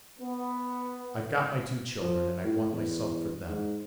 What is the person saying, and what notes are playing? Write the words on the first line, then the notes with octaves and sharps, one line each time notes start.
I've got my two children and I want myself for them.
B3
F3
A2
E2
G#2